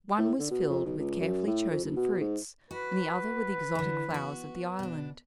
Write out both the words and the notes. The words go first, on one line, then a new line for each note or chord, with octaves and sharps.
One was filled with carefully chosen fruits, and the other with the exotic flowers of the island.
A2
D3
B2
F2
B1
C#2
F#2
A2
F2
F#1
B2
G#2
F#4 B4
D3 E3
B3 F#4
B2 D4